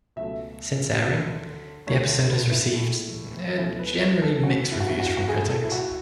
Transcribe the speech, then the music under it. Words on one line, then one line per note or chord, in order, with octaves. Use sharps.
Since airing, the episode has received generally mixed reviews from critics.
C#2 B2 F#3 A3 E5
D2 D3 F#3 A3
D2 D3 A3 C#5
B4
E4
A2 G#3
C#2 B2 F#3 A3 E4
B4
C#5
A4
E2 B2 A3 F#4
E4
F#4
E4
F#4
F#4
A2 F#3 A3 G#4
A4
E4
F#4